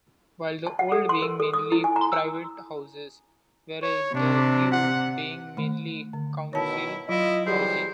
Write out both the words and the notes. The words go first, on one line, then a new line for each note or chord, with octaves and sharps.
With the 'old' being mainly private houses whereas the 'new' being mainly council housing.
A5
F#5
A4
C6
A#4
A4
D#6
E4
G#5
A#5
C#5
C3 D4
F#5
D#3 A3
D3
B2 D#3 E4 C#5 A5
F#3 E4 F4 D#5
E3 F#3 G3 G4 G#4 C5